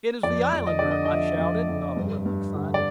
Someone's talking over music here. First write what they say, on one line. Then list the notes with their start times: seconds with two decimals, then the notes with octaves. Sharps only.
"It is the Islander!" I shouted, not a little excited.
0.23 F2 D5
0.52 F2
0.67 D#5
0.79 D3 D5
0.91 D#5
1.05 D#5
1.10 F3 E5
1.38 F2
1.68 F2
1.97 G2
2.26 G2
2.55 D3
2.74 D5